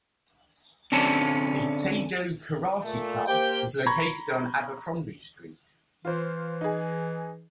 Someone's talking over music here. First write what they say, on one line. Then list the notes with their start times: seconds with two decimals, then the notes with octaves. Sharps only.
A Seido Karate club is located on Abercrombie Street.
0.92 D3 C4 C#4 A5
2.82 A#2 A3
3.28 A#3 G4 C5 G5
3.86 A#5 B5 C#6 G#6 A#6
6.05 E3 F4 C5
6.61 D#4 G#4